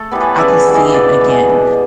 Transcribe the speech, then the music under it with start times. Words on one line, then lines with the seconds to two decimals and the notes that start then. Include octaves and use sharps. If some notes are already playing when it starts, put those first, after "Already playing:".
I could see it again,
Already playing: A3 A4
0.11 E3 G3 B3
0.20 B4 C#5
0.39 C#3 D5 E5
0.67 E3 G3 B3
0.75 D#5 F5
0.94 B2 D5 E5
1.21 G#3 B3
1.49 B2